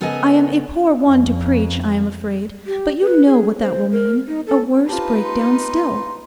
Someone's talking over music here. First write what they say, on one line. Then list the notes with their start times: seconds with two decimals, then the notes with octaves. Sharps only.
I am a poor one to preach, I am afraid; but you know what that will mean--a worse breakdown still.
0.01 C#3 B3 A4 A#4 D#5 G#5
1.08 F2
2.67 G4
3.02 B4
3.26 G#4
3.61 C5
3.92 A#4
4.27 D#4
4.47 A4
4.89 D#4 F4 G4 B4 A5
5.24 C6